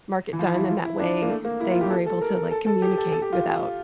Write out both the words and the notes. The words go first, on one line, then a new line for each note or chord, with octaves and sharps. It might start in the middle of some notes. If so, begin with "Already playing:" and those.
mark it done, and that way, they were able to, like, communicate without
E3
F3
E4
F4
E4
D4
A#3
A3
A#3
E4
F4
G4
A4
A4
A#4
A4
A4
G4
A4
A4
G4
F4